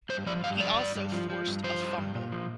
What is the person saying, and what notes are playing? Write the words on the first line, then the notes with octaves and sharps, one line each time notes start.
He also forced a fumble.
G2 C5
F3 D5
G2 F5
D3 D5
G2
G2
F3
F3
G2
F3 C5
G2
G2
A#2
F3